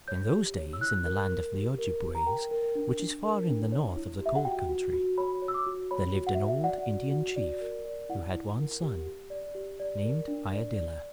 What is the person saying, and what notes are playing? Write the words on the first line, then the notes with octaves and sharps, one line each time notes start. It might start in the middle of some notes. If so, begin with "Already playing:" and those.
In those days in the land of the Ojibways, which is far in the north of the cold country, there lived an old Indian chief who had one son, named Iadilla.
C#5 G6
G4
C#5
E6
E4 F#6
A#4
A#4
G4
A#4
G4
A#5
A#4 G5
A#4
D4
D4
A#4
D4
C#5
E4
G4
E5
F#5
F#4 G5
F#4
F#4
C#5 B5
C#5
E6
D6
F#4
C#5 B5
F#4
F#5
E5
C#5
E5
D5 F#5
F#4
F#4
D5
A#4
D5
E4 F#5
E4
A#4
G4
G4
D5
G4
D5
A#4
D4
D5
D5